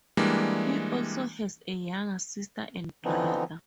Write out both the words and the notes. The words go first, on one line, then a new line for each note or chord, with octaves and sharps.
He also has a younger sister and brother.
E3 G3 G#3 A#3 D4
D3 E3 F3 B3 C4 D#4